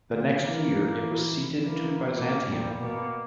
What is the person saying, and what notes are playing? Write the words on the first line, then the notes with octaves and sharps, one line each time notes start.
The next year it was ceded to Byzantium.
D3
E3 A#3
E3
E3 A#3
A#2 A#3
A#2 G3
B2 A#3